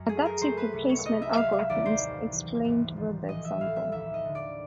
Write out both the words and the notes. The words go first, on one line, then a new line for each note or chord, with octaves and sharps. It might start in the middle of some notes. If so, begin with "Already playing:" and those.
Adaptive replacement algorithm is explained with the example.
Already playing: F#2
A3 G#4
A#4
A3 C5
B4
C2
C#5
C2 D#5
E5
F#3 F5
E5
D#2 D5
C5
A1
E3
G#1
F3
A1 D#5
E5
A2 F5
E5
D#2 E5
D#5
D3
D5